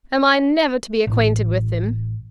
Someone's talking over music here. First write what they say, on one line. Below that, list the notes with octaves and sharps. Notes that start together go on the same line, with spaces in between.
Am I never to be acquainted with him?
A1